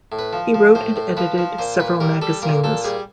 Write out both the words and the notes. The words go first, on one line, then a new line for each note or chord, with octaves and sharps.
He wrote and edited several magazines.
A2
B4
F3
F3
A2 C5
A2
F3 B4
F3
A#2 C5
A#2 B4
G3 A#4
G3 A4
A#2 A#4
A#2 A4
G3 G#4